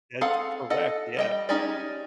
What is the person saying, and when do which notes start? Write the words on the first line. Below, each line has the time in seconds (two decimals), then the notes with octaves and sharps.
That's correct, yeah.
0.21 C4 G#4 A4 F5 F#5
0.70 A4 D#5 F#5
1.17 G3 D#5 G5
1.49 C#4 D#4 G4 G#4 D5